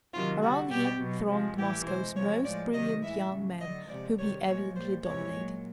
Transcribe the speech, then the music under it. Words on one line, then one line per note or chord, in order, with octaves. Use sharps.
Around him thronged Moscow's most brilliant young men, whom he evidently dominated.
C3 D#3 F#3 F4
D3 G3 F#4
B2 G3 G4
B2 F#3
C3 F3 G#3
A2 E3 G3 G4
B2 G#3 C5
C3 F3 G#3 C#5
A2 F3 G#3 D5
C3 D#3 F#3 D#5
A2 E3 G#3 E5
C#3 F#3
D3 F#3 D#5
C3 F3 G#3 D5
C3 D#3 G3 C#5
A#2 F3 G#3 C#5
A#2 G3 C5
C3 E3 G#3 C#5
A#2 F#3